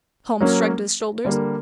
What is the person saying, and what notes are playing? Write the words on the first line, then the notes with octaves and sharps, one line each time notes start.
Holmes shrugged his shoulders.
F#3 A#3 C#4
D3 G3 A#3